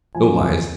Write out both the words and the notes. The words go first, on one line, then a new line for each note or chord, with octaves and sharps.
No lies!
F3 G#5
F2